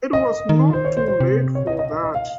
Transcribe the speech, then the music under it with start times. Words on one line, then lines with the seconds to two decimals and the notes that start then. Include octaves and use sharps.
It was not too late for that.
0.13 D#5
0.49 D#3
0.73 C5
0.85 C#5
0.97 C5
1.08 C5
1.20 C3
1.55 C#5
1.67 D#5
1.79 D#5
1.91 D#5
2.03 D#5
2.15 F5